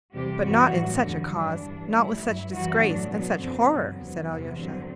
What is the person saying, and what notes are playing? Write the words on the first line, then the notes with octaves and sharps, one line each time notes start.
"But not in such a cause, not with such disgrace and such horror!" said Alyosha.
E2 C3 G3 G4
G2 E3 G3 F#4
A2 F#3
E2 D3 G3
G2 E3 G3 D4
G2 E3 G3
A2 G3 E4
G2 F#3
F#2 E3 G3 F#4
A2 F#3 D4
B2 F#3 B3
F#2 D3 F#3 C4
G2 D3 F#3 B3
E2 C3 F#3 B3
E2 C3 E3
G2 D3 F#3 C4